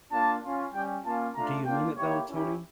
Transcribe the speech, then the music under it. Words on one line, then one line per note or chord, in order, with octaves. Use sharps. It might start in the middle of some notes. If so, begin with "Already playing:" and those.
Do you mean it though, Tony?
A#3 D4 F4 A5
C#4 F4
G3 C#4 G4 G5
A#3 C#4 F4 A5
A3 D4 F4 A#5
A#3 D4 F4 G5
A#3 E4 G4 C#5
C#4 E4 G4